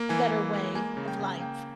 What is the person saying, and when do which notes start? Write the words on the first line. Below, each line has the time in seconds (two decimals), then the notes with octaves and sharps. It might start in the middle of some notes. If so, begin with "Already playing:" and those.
a better way of life.
Already playing: A#3
0.09 E3 G#5
0.31 E3
0.53 G#3
0.75 A#3 G#5
0.97 C#3
1.08 G5
1.19 C#3
1.40 A#3 G5